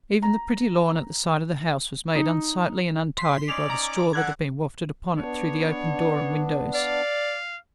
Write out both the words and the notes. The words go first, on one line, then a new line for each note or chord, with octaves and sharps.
Even the pretty lawn at the side of the house was made unsightly and untidy by the straw that had been wafted upon it through the open door and windows.
A#5
D#4
C6 B6 C7
C#4 D#4 D5 F7
A#5 D6
D3 F#5 F#6 G#6
B3 D4 C#5
D5 F5